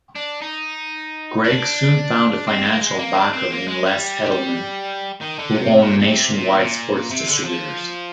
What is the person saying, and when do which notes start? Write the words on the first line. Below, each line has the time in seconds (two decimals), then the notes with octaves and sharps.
Greg soon found a financial backer in Les Edelman, who owned Nationwide Sports Distributors.
0.16 D4
0.42 D#4
1.45 D4
2.47 C4
2.64 A#3
2.81 G#3
2.99 A#3
3.15 D4
3.33 C4
3.51 A#3
3.68 G#3
3.85 G3
5.21 D#3
5.39 D3
5.56 C3
5.82 A#2
5.99 A#2
6.07 C3
6.33 A#2
6.59 A#2
7.10 C3
7.28 D3
7.45 F3